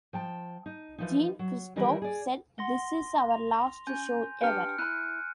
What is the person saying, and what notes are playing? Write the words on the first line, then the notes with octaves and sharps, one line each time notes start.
Jean-Christophe said "This is our last show ever".
F3 G5 A5
D#4
E3 F3 D#4
F#3
D#3 E3 G3 E4 A#4 B4
G#4 D5
F#5 C6 A#6 G7
F7
C#4 G#5 G6
D4 G4 B4 F6 C#7 D7
E4 B5 F#6 D#7